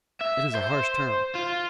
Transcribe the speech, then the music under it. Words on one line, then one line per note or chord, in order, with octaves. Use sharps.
It is a harsh term.
E5
C5
F4